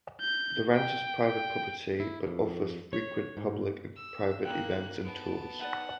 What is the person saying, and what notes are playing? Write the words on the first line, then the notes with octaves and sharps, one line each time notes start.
The ranch is private property but offers frequent public and private events and tours.
G6
G5
G5
E4
F2
C#5
G#2
E6
A#3 D#4 E4 G5 F#6
B3 A5 D7
D#4 B4 D5 F#5